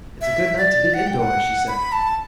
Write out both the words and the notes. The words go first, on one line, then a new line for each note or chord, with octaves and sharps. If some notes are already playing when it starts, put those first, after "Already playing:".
"It's a good night to be indoors," she said.
E5
D5
F#5
G5
F#5
B5
A5